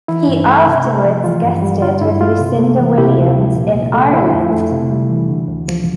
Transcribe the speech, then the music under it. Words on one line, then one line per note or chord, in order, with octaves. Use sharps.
He afterwards guested with Lucinda Williams in Ireland.
E3 E4
G2
A3
C3
A3
F3
E3 F4
G2
G3
D3 F4
G2 E4
A3 F4
C3
A3
E3
C3 E4 G4
D2
F3
A#2
C2
A3
D3 E4
F2
A3
C3
G3
E3
D3
D2
F3